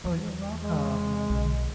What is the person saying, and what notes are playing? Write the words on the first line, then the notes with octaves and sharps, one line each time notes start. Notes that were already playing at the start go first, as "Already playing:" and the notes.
Oh, you're welcome.
E2
G#3
B1